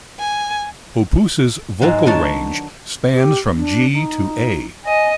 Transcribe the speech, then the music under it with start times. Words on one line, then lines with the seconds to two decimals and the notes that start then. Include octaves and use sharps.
Hoppus's vocal range spans from G to A.
0.19 G#5
1.81 G#2 F#3 G#3 A#3
2.06 D#3 B3 D4 A#4 C#5 A5
3.13 G4
3.55 D4
3.93 D#4
4.85 D#5 G#5